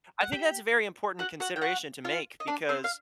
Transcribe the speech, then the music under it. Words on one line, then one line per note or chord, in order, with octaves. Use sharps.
I think that's a very important consideration to make because
F#5
G4 G5
F#4 F#5
F#4 F#5
G5
F#4 F#5
F4 F5
D#5
D4 D5
C4 C5
F5